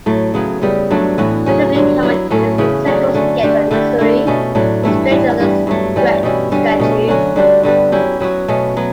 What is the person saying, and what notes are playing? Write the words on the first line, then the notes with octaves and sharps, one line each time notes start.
Relatively common in the central stretch of Misuri, but strange in other stretches.
A2 F#3 A3
C#3 F#3 B3
C#3 G3 B3 E4
G2 F#3 A3 D4
A2 E3 B3 F#4
C#3 F#3 C#4
G2 D3 F#3
F#3 B3 E4
A2 F#3 A3 C#4
C#3 E3 B3
C#3 F#3 A3 D4
D3 A3 C#4
D3 A3 D4 G4
D3 A3 E4 G4
D3 A3 E4
B2 A3 C#4
A2 F#3 A3 D4
G2 E3 A3 E4
A2 E3 G3
G2 E3 G3 B3
G2 F#3 A3
E3 G3 C#4
B2 G3 C#4 E4
D3 G3 C#4
B2 A3 C#4
D3 F#3 C#4 F#4
D3 G3 D4 F#4
G2 D3 G3 B3
F#3 C#4 E4 G4
F#3 B3 F#4
B2 A3 C#4
F#3 B3